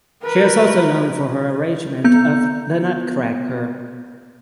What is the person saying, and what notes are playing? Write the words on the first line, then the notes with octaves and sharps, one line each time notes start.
She is also known for her arrangement of "The Nutcracker".
A#4 B4
B3 G6